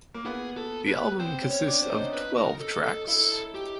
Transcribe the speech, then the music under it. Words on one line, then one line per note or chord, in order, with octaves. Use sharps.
The album consists of twelve tracks.
A#3
B3 G#4
A4
B4
C4 C5
C#4
C#5
D4
C5
D#4
B4
A#4
A4
A4
E4 A4
G4